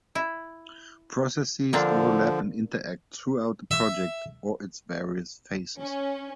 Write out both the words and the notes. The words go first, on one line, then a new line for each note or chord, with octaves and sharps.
Processes overlap and interact throughout a project or its various phases.
E4
D3 F3 A#3 C4 D4
E5
C#4